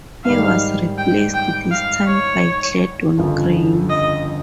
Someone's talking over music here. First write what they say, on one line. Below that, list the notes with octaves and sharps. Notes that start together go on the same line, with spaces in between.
He was replaced this time by Glendon Crain.
G#2 D#3 G3 F5
G5
G5
F5
C#5
G1 F2 C#3 F3
D#5